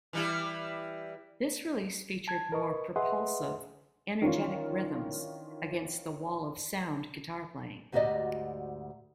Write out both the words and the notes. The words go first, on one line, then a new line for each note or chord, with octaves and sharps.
This release featured more propulsive, energetic rhythms against the "wall of sound" guitar playing.
E3 G3 E4
A5 G#6
A#4 B4 D#5 C#6
G#4 B4 D#5 E5 F#5 C6
D#3 E3 C#4 D4 F4
D2 G#2 F#4 G4 D5 D#5